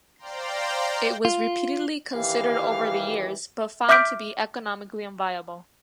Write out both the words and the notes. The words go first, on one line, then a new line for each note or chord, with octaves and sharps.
It was repeatedly considered over the years but found to be economically unviable.
C5 D5 F5 G5 A#5 C6
F4
D#2 E3 G4 F5
E5 D6 F6 G6 B6 D7